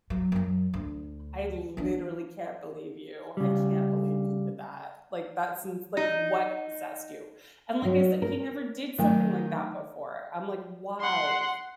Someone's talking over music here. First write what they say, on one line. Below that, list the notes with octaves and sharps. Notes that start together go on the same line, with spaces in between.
"I literally can't believe you, I can't believe you did that, like, that seems like what possessed you?" And like I said, he never did something like that before, I'm like, "Why?"
F#3
F#2 F#3
D2
E3 D4
C#3 G3
D#4
F#3 D#4
A#4
D#3 F#3 A3
F#5 C6